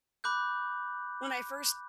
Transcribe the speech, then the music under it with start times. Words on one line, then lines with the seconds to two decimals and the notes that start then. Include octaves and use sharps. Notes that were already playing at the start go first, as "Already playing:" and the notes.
when I first
0.24 B5 D6 F#6 G6